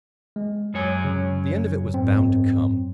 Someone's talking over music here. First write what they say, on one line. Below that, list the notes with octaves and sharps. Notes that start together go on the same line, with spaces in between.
The end of it was bound to come.
G#3
F#2 C#5 G#5
C#3
G#2 C4